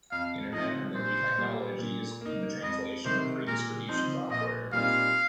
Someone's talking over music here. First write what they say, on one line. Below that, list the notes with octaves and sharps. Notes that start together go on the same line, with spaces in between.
Internet and the new technologies, from the translation of free distribution software.
F2 F5
F3 C4 D#4 D#5
A#1 C5
A#2 G3
A#2
A#3 D#4
F2 D#5
C3 D#3 C5
A#2 A#4
F3 C4 D#4 C5
A#1 D#5
A#2 G3 C4 D#4 F5